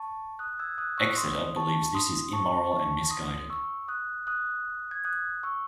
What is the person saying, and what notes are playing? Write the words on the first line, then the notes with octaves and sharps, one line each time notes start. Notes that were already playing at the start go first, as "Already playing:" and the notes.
Exeter believes this is immoral and misguided.
Already playing: A5 C#6
D#6 F#6
E6 G#6
D#6 F#6
C#6 E6
C6 D#6
A5 C#6
C6 D#6
A5 C#6
A5 C#6
C6 D#6
C#6 E6
D#6 F#6
D#6 F#6
G#6
D#6 F#6
C#6 E6